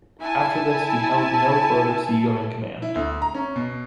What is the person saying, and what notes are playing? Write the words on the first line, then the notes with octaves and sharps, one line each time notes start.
After this he held no further seagoing command.
E4 G#5 A5
E4
D2
A#5
C#4
B2